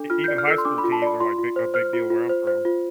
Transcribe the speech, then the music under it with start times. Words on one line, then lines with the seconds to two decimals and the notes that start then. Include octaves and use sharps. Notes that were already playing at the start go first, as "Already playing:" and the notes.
e even high school teams are, like, big a big deal where I'm from.
Already playing: D4 A4
0.10 F4 F6
0.24 D5 G6
0.38 F6
0.47 A4 E6
0.58 C6
0.65 D4 D6
0.78 B5
0.84 F4
0.92 A5
1.02 D5 B5
1.20 F4 C6
1.38 F4
1.56 C5
1.74 C5 F6
1.93 F4
2.10 F4
2.29 C5
2.47 C5
2.65 F4